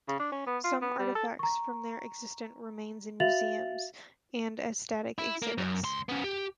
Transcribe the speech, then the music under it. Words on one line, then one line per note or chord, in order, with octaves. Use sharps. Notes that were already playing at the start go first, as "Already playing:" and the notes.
Some artifacts from their existence remains in museums and as static exhibits.
C#3
D4
C#4
B3
F4
B3
G3
A4
A#5 C#6
F#4 E5 F5 A6 F7 F#7
E4
A#3
F#2
C#2 C6
B3 C#4
G4